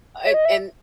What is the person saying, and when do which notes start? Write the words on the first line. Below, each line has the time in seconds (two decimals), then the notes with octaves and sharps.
and and
0.24 C#5
0.34 D#5
0.45 E5